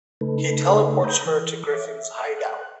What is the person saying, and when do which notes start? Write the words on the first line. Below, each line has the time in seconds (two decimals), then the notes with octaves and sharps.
He teleports her to Griffin's hideout.
0.21 C#3 A3 D#4 A4 B4
1.04 A#5 B5 D#6 G6
1.26 E3
1.73 C#5 E5 D6
1.88 E5
2.38 F#6